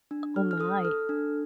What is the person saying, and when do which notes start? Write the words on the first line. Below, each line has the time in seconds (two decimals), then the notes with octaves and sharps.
Oh my.
0.11 D4
0.36 A4 F6
0.51 F6
0.60 A4 D#6
0.85 A4 F6
1.09 D4